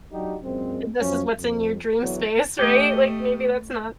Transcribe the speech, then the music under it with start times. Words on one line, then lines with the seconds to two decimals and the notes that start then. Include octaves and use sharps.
and this is what's in your dream space, right? Like, maybe that's not
0.12 F#3 D4 D#4 F#4 G4
0.42 F#2 A#2 G#3 C4
1.00 F#2 F3 C#4
1.37 F2
2.02 E2 D3 E3 F#3
2.59 A3 G4 D#5